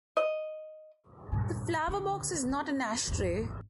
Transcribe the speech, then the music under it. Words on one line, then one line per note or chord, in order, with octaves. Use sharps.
The flower box is not an ashtray!
D#5
G2 A#2
D3
C4
G#1 E2